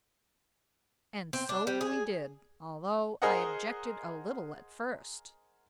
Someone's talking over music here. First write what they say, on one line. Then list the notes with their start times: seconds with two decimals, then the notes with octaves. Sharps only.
And so we did, although I objected a little at first.
1.33 C4
1.49 D4
1.67 G3
1.81 G#4
3.22 G#4 A#4 C5 D#5 F#5